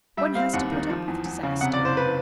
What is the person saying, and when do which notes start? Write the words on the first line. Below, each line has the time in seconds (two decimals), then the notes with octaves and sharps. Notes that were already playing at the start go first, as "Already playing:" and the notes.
One has to put up with disaster.
0.17 G3 E5
0.35 C4 F5
0.53 D#2 F#5
0.72 D#3
0.89 F3
1.08 E2
1.25 E2
1.43 C#3
1.61 C3 F#5
1.73 D5
1.79 F#1
1.85 C5
1.97 B4